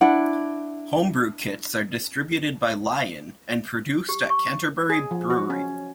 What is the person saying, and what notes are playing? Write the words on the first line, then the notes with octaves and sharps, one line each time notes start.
Home-brew kits are distributed by Lion and produced at Canterbury Brewery.
D4 E4 F#5
G4
C#6
G#4
F3
F#4
C#4